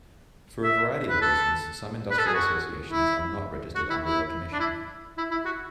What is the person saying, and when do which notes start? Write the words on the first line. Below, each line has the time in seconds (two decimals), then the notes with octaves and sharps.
For a variety of reasons, some industrial associations are not registered under their commission.
0.64 E5
1.09 B4
1.21 A4
2.11 B4
2.18 A4
2.26 G#4
2.34 F#4
2.90 E4
3.75 F#4
3.90 E4
4.03 E4
4.53 D4
4.60 E4
5.17 E4
5.31 E4
5.45 F#4